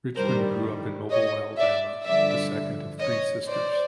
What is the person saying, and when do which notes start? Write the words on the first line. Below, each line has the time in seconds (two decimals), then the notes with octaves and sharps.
Richmond grew up in Mobile, Alabama, the second of three sisters.
0.16 G2 D#3 G3 A#4 C5
1.12 C#5 D#5
1.58 D5 E5
2.06 G2 D3 F3 D5 E5
3.00 C#5 D#5
3.48 C5 D5